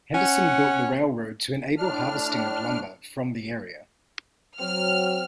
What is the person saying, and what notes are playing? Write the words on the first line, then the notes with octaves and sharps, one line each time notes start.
Henderson built the railroad to enable harvesting of lumber from the area.
C#4 F#5
A2 D4 F6
F#3 C4 G5 F6